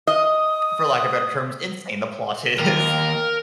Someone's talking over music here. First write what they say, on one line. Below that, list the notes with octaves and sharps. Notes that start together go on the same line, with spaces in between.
for lack of better terms, insane the plot is.
D#5 D#6
D#2 A#4